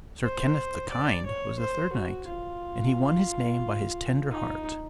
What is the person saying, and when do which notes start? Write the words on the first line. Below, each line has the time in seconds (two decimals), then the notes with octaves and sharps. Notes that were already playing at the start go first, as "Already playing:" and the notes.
Sir Kenneth the Kind was the third knight, and he won his name by his tender heart.
0.24 C5
0.90 D5
1.25 C#5
1.59 C5
1.93 F#4
2.27 F4
4.30 D#4